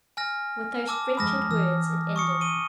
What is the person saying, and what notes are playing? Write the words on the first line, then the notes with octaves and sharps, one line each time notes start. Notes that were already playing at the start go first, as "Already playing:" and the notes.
With those wretched words it ended.
G#5 F6 A#6
A5 D6 E6
F2 G#3 B5 D#6 F6 A#6
E3 E6
C#6 D#6 C#7
D#7 G7